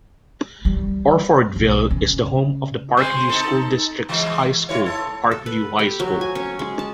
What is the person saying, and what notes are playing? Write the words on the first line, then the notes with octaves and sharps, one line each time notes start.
Orfordville is the home of the Parkview School District's high school, Parkview High School.
G3
B1
C#3
G#3 C4 C5
D#4 A4
E3 G#3
G#2 E4 C#5
A4
A4
B4
G4
F#3
G#5
C#4
G#3
A5